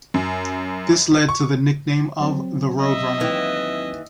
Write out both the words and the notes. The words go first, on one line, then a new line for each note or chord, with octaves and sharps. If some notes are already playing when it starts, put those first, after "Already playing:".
This led to the nickname of the Roadrunner.
F#2
C#6
F#3 C4
D#5 E5
D#2 E3